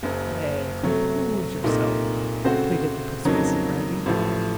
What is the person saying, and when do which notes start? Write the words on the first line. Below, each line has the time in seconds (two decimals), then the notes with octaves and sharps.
"Pray compose yourself," pleaded the persuasive Wragge.
0.03 F#1 F#2 C#3
0.83 C3 F#3 A3
1.64 C2 A#2 A3 D#4 A#4
2.44 C#3 A3 C4 F#4 C5
3.25 F2 C#3 F#3 A#3 D#4
4.06 A1 A2 F3